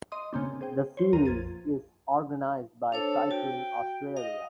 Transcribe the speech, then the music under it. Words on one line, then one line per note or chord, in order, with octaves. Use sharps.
The series is organised by Cycling Australia.
D#5 C6 D#6
C#3 A#3 C4 D4
G#4 C5 G5
C5 C#5
E2 F3 A#4 A#5 D#7
A#1 F2 G#6 A6 D#7
D4 A4 C5 C#5
F#4 G5
D#5 F5